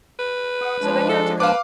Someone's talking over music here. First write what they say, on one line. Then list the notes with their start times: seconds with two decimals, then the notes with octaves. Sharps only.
So then you have to go
0.19 B4
0.62 F#5 D#6
0.82 F3 G#3 D4
1.09 A4
1.40 B4 F5 D6